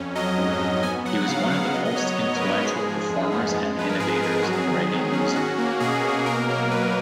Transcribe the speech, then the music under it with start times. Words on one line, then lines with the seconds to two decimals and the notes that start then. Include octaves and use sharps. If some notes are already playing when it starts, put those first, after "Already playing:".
He was one of the most influential performers and innovators in reggae music.
Already playing: F2 C#4
0.15 F#3 D#5
0.38 G#2
0.61 G#2
0.83 B3 G#5
1.05 F#3 F#5
1.28 C#3 F5
1.51 C#3 F5
1.74 B3 D#5
1.85 D#5
1.96 F#3 C#5
2.19 G#2
2.36 A#4
2.41 G#2 B4
2.64 G#3 G#4
2.87 F3
3.09 F2
3.32 B3
3.54 G#3
3.77 F3 B4
3.89 A#4
4.00 G#2 G#4
4.22 G#2 A#4
4.33 G#4
4.42 F#3 F#4
4.53 G#4
4.67 D#3
4.90 G#2
5.12 C#4
5.35 C#4 F#4
5.58 A#3
5.80 B2 G#4
6.04 B2
6.26 A#3 A#4
6.49 F#3
6.71 B2 B4